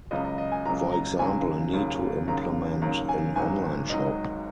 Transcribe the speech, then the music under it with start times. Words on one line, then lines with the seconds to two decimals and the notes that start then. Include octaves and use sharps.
For example, a need to implement an online shop.
0.11 C#2 C#3 F#3 D#5
0.25 D#5
0.38 D#5
0.52 G#5
0.65 C#2 C#3 F#3 A#5
0.92 A#5
1.19 D#2 C#3 F#3 G#5
1.73 D#2 C#3 F#3
2.27 D#2 C#3 F#3 A#5
2.82 D#2 C#3 F#3 A#5
3.09 G#5
3.35 G#1 G#2 D#3 F#3 G#5
3.90 G#1 G#2 D#3 F#3 D#5